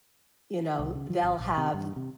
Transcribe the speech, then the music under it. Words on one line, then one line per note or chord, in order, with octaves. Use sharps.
you know, they'll have
C2
C#3
F3
G#1
A#1
C3
G2
C3